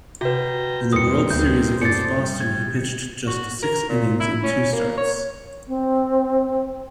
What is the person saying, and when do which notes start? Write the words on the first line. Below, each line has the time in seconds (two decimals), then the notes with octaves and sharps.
In the World Series against Boston, he pitched just six innings in two starts.
0.21 C3 F#4 B4 G5 A#5
0.93 F2 A#2 G3 C4 D#6 C#7
1.30 D2 G6
1.82 F#2 A4 C5 D5 A6 C#7
2.19 G3
2.40 G#6
3.27 F#4
3.62 A#4
3.89 A#2
4.20 E4
4.44 C#4
4.73 A#3
4.97 C#5
5.68 C4